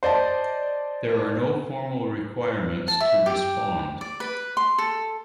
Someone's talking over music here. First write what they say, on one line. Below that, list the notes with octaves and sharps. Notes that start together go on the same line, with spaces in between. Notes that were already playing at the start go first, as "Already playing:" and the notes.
There are no formal requirements to respond.
C5 D5 D#5 A5
A5
E5
G4
D5
B4
C6
A4